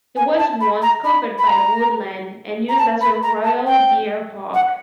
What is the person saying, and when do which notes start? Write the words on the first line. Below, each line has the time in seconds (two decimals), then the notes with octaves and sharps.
It was once covered by woodland and used as a royal deer park.
0.16 G#5
0.38 A5
0.61 B5
0.82 A#5
1.04 B5
1.38 B5
1.47 A#5
2.69 A#5
2.78 A5
3.01 B5
3.23 A#5
3.44 A5
3.67 G5
4.54 F#5